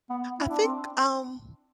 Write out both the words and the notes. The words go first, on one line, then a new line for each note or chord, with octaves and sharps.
I think um,
B3
E4
D4
C4